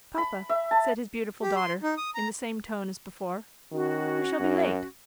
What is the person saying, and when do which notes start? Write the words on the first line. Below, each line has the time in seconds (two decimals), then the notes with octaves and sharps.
"Papa," said his beautiful daughter in the same tone as before, "we shall be late."
0.18 B5
0.49 E5
0.71 A5
1.42 G4
1.56 C6
1.83 D#4
1.97 D#6
2.15 A#5
3.72 D#3 C#4 F#4
4.40 F#2